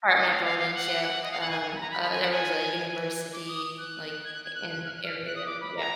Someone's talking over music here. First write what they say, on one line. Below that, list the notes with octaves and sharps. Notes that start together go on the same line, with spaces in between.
Apartment buildings, yep, um, uh, there was a university, like, i in area. Yeah.
D#5
F5
F5
F5
F#5
D#5
F5
F#5
G#5
G#5
G#5
B5
A#5
B5
B5
G#5
F#5
G#5
D6
D#6
F#6
G#6
F#6
G#6
F#6
F#6
F6
F#6
F6
F#6
D#6
D6
B5
A#5